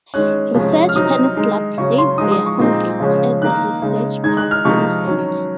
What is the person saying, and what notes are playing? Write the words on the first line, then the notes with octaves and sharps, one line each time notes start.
Research Tennis Club play their home games at the Research Park Tennis Courts.
D#3 G#3 C#4 F#6
C3 F3 G#3 C#4
F6
C3 F#3 C4 D#4 D#6
D#3 G#3 D#4
C#3 F#3 C#4 C#6
C6
F3 G#3 D#4 D#6
D#6
C#6
A#2 G#3 C4 D#4
C#3 F3 G#3 C#4
D#3 A#3 D#4 F#6
C#3 G#3 D#4
D#3 G#3 D#4 G#6
F#6
F6
C3 F3 G#3 D#4 C#6
D#3 F#3 C#4